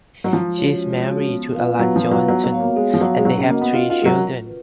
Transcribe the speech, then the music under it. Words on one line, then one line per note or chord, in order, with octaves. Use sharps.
She is married to Allan Johnston and they have three children.
F#3
F3 G#3
C#4 F#4 C#5
G#3
C#4 F#4 C#5
B3
F4 B4 F5
F#3 B3
F3
F4 B4 F5
F#3
F#3 B3
F#3
F#4 C#5 F5
A#3
G#3 B3
F3
F#3 F#4 C#5 F5
G#3
F#3 C#4
C#3
A#3 F#4 A#4 D#5 F#5
B3
C#4 F4
F4
G#3 F#4 A#4 D#5 F#5
F#3
F4
B4